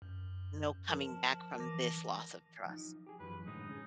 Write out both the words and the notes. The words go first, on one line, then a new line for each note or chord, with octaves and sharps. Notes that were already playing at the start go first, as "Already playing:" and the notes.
no coming back from this loss of trust?"
F#2
F3 A#4 A5
E3 D6 A#6
F3 D#4
G4 G#4
F#2 E3 F3 B4
A2 D3 G#3 D#4
C#4 G#4